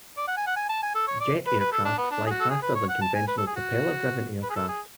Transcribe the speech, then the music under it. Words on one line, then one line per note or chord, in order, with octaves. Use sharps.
Jet aircraft fly faster than conventional propeller-driven aircraft.
D5
F#5
G#5
F#5
G#5
A5
G#5
A4
C#5
D5
B4
B4
A4
D4
B3
D4
G#4
F#4
A4
G#4
B4
C#5
F#5
A5
G#5
B4
A4
G#4
F#4
B4
G#4
A4
G#4